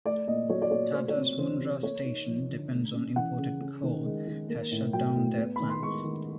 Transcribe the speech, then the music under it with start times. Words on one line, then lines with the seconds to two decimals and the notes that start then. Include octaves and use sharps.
Tata’s Mundra station depends on imported coal has shutdown their plants.
0.05 A3 D5
0.28 A#2 D#5
0.50 F#3 C#5
0.62 D5
0.71 A#2 C#5
0.93 A3 C5
1.08 C#5
1.16 C4
1.38 E3 C5
1.60 C3
1.82 A#3 C#5
2.05 D#4
2.27 F3
2.49 D3
2.71 A3
2.93 C#4
3.16 E3 F#5
3.38 C#3
3.61 C#4
3.83 D#3
4.05 G#3
4.27 D#3
4.49 A#3
4.71 A2
4.93 F#3 G5
5.16 A2
5.37 B3
5.56 D#3 B5
5.69 C6
5.82 G#3 C#6
6.04 D#3